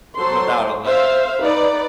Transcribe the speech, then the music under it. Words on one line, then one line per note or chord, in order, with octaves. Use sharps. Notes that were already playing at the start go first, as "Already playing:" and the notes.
without a leg.
F#3 A4 C5 C6
C5 E5 F5
D#4 B4 D5